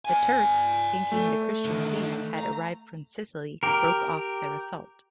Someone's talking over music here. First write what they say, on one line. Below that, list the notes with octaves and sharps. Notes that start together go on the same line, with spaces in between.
The Turks, thinking the Christian relief had arrived from Sicily, broke off their assault.
D5 G#5
A3
D3 D#3
A#5
G4 A#4